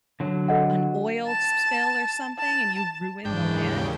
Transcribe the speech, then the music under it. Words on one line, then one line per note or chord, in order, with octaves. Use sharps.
an oil sp spill or something and you ruin the land,
D3 F#3
A4 D#5 F#5
A5
A5
F#1 D#2 G#2 C#3 E3 D4 G5